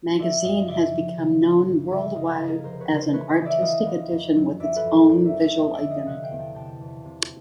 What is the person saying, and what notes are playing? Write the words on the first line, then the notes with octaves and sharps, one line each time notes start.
Magazine has become known worldwide as an artistic edition with its own visual identity.
F3 D5 E5
F#2 D#5 F5
C#3 D5 E5
F3
C#3
C#3
G1
C#3 D5 E5
C#3 D#5 F5
C#3
G#4 A#4
F1 A#4 C5
B4 C#5
C#3
A#4 C5
E3 B4 C#5
C#5 D#5
E3
D5 E5
E3 D#5 F5
E3
F2
F#3
F2 D5 E5
A4 B4
F2
A#4 C5
F2 C5 D5
D5 E5
F2
D5 E5
A3 C#5 D#5
D5 E5
D3
D#5 F5
C3 E5 F#5
F5 G5
E2
G5 A5
C3 G5 A5
E2
C3